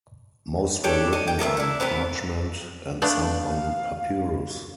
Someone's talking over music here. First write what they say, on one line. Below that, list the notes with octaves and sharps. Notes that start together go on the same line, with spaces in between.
Most were written on parchment and some on papyrus.
D4 G4 A4 C#5
D#5
G5
A3 A#3 D#5 E5
D4 E4
B3 C4 A#4 B4
A3 B3 D4 F5